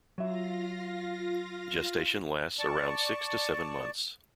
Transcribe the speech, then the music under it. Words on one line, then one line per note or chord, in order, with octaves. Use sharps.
Gestation lasts around six to seven months.
F#3 F4 E5 F5 A#6
D5 A5 C#6